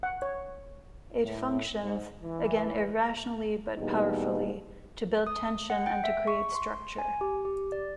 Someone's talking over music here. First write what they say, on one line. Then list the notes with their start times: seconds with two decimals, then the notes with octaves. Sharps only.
It functions, again, irrationally, but powerfully, to build tension and to create structure.
0.03 F#5
0.22 C#5
1.23 A2
1.81 G#2
2.22 E3
3.78 E2 B2 G3 A#3 D#4 G#4
5.27 D#6
5.70 F#5
5.86 G5
6.04 E5
6.27 C#6
6.55 C6
6.98 G#5
7.21 G4
7.45 G4
7.72 D5